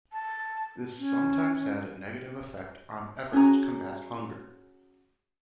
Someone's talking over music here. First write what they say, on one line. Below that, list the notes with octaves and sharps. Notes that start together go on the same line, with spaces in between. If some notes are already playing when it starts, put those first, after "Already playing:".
This sometimes had a negative effect on efforts to combat hunger.
A5
C#4
C#4 F#4 G#4 A#5